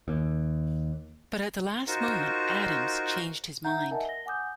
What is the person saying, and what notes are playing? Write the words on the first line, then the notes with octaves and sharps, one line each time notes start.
But at the last moment, Adams changed his mind.
D#2
D#4 F4 F#4 A#4 C5 C#6
D#4 E5 F#5 A#5 G6
A#4 D#5 E5 F#5 G#5 A5
A#6 G7
F#5 G#5 D6 D#6 G6